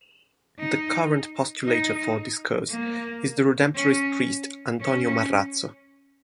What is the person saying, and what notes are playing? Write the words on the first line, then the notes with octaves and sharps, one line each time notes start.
The current postulator for this cause is the Redemptorist priest Antonio Marrazzo.
D#4
D#4
A#3
C#4
C#4